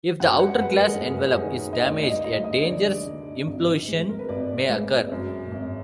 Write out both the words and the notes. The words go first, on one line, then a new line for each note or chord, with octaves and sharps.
If the outer glass envelope is damaged, a dangerous implosion may occur.
F#2 F#5
F#5
G#3 B4
A#4
G#4
F#2 G#4
G#4
D#3 G#4
D#5
D2 D5
D#5
D2 D#5
D#5
D3 D5
D3
G#1
G#3
A#4
B4
G#1 D5
G#3
F#2
G#1